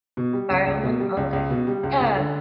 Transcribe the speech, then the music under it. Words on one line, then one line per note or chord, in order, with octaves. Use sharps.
Fire Emblem, oh okay. Yeah,
B2
G3
C#2
C#2
B2
G3
C#2
C#2
B2
G3
C#2
C#2
D3